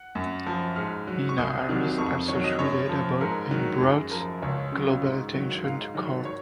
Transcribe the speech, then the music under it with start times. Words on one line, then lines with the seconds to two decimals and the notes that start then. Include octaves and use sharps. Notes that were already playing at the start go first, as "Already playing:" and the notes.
Meena Harris also tweeted about and brought global attention to Kaur.
Already playing: F#5
0.15 F#2
0.46 F3
0.76 G#2 F6
1.07 F#3
1.29 C#6
1.38 C2 D#6
1.67 C3 D#3 F#3
1.98 F2 C#6
2.28 D#3 F#3 C#5
2.44 D#5
2.59 F#2 C#5
2.89 F3
3.21 G#2 A#4
3.51 D#3 F#3
3.81 F#2 G#4
4.11 F3 A#4
4.42 C#2 C#5
4.72 C#3 F#3
5.03 G#2
5.33 D#3 F#3
5.64 G#2 F5
5.94 D#3 F#3
6.25 C#5